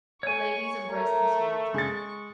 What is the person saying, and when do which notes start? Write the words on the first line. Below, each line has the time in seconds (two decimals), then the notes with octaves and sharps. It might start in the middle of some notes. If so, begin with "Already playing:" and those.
The ladies embraced Miss Middleton.
0.23 C#5 G#5 C#6
0.90 A3 A#4 A#5
1.74 G#3 C#6 A6